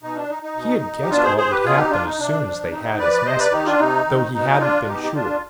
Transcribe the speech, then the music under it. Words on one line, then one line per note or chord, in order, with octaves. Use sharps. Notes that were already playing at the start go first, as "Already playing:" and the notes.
He had guessed what would happen as soon as they had his message, though he hadn't been sure.
B2 D#4
D4
D#4
D#4
B2
G4
B2 D4 F4
G#4 C5
G#4 C5
G4 B4
B2 F4 G#4
D#4 G4
D4 F4
D#4
C3 D4
F3
C3 D#4
F3 B4 D5
C3 C5 D#5
B4 D5
D#3 D#4 G4
D4 F4
C3 D#4
D#3
B2 D#4
D4 F4
B2 D#4 G4
G4
D4 F4